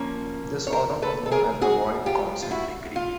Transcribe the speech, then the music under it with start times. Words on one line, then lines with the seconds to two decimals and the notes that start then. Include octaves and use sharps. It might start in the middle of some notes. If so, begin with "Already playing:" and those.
This order was known as the Boyd Consent Decree.
Already playing: F3 A#3 C#4
0.67 C#5
0.72 A#4 C5
1.02 A4 B4
1.26 A4
1.31 G#4 A#4
1.61 F#4 G#4
2.06 F4 G4
2.42 F4
2.51 E4 F#4
2.96 F4